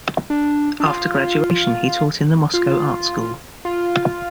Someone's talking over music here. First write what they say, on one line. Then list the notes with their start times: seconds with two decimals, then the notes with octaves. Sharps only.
After graduation he taught in the Moscow Art School.
0.30 D4
0.80 D4
0.86 F4
2.54 F4
3.65 F4